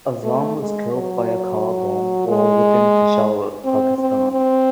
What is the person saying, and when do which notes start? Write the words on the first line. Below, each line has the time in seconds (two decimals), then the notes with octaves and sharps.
Azzam was killed by a car bomb while within Peshawar, Pakistan.
0.23 A3
0.58 G#3
0.92 F#3
2.28 G#3
3.65 C4
3.98 C4
4.32 C4